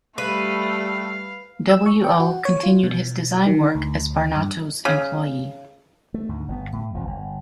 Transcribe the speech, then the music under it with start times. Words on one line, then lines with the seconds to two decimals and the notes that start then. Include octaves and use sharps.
W. O. continued his design work as Barnato's employee.
0.18 G3 A3 B4 F5
1.69 E6
1.86 C#6
2.04 G5
2.20 F#4
2.45 C#5
2.63 F4
2.83 B2
3.46 D#3
3.75 D2
4.36 G2
4.85 C#3
6.14 A3
6.29 D2 G#2
6.48 G1 A#2 B3
6.73 A2
6.94 E1 F2 F3
7.07 G1